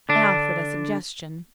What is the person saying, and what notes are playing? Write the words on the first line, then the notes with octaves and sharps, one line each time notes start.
I offered a suggestion.
D3 D4